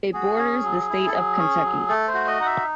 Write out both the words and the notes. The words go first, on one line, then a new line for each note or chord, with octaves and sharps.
It borders the state of Kentucky.
F#4 G#4
C#4
F#3
E4
A4
F#3 G#4
C#4
F#3
A3 A4
C5
F#4
D#5
D#4 F#5
E5